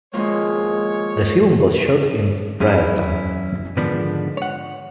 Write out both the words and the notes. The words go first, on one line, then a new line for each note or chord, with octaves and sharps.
The film was shot in Rajasthan.
D#2 F3 G#3 A#3 C#5
F#2 C#4 E4
G#2 D3 D#3 F3 B3 D4
C#5 F#5